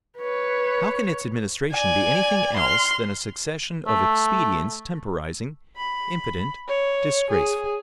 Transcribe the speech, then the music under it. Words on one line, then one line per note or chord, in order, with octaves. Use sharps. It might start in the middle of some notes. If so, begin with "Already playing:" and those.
How can its administration be any thing else than a succession of expedients temporizing, impotent, disgraceful?
B4 C#5
D5 G#5
C6 F6
A3
B5
C#5
G#4